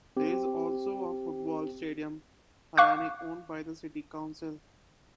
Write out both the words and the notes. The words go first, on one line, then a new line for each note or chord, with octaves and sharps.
There is also a football stadium, "Harane", owned by the city council.
C4 G4
F5 C#6 D6 F#6